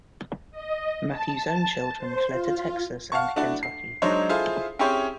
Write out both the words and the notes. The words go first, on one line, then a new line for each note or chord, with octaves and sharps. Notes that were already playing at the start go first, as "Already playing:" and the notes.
Mathews own children fled to Texas and Kentucky.
D#5
A5
C5
F4
F5 F#5 A5 C#6
A3 D4 E4 F#4 D5
C7
F#3 G#3 D4 D#4 C5 C#5
E4 F4 G#4 A4 C5 F5
C4 C#4 E4 G4 G#4 C#5